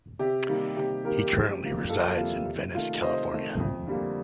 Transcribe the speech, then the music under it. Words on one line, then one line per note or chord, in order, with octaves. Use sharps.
He currently resides in Venice, California.
C3 G4
D#3 G3 A#3
C3 G4
D#3 G3 A#3 G4 A#4
G4
F2 G4
C3 G3 A#3
F2 F4 A4
C3 G3 A#3 F4
C3
D#3 A3 F4
C3 C5 D#5
D#3 A3
F2
D3 G3 A#3